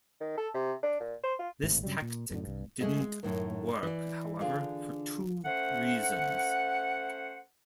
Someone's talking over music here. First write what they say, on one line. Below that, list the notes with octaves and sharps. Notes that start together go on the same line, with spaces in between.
This tactic didn't work however, for two reasons.
D#3
A4
C3
D4
A#2
C5
F4
G#1 A2 C3
G2 C#3 F#3 G3
A#2
F#2 A2 D3
C2 G2
G#3 A3 G#4 D#5
G#3
F#2 A2 D#3
E3 D5
D3 D4 F4 G#4
A3 C#4 C5 F#5